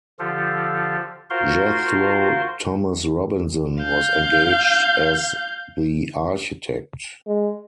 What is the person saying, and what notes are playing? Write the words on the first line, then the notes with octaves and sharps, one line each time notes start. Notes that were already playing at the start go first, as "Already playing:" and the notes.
Jethro Thomas Robinson was engaged as the architect.
D3 F3 F4 G4 A4
F4 F#4 A#4 C5 F5 C6
F5 G6
G#3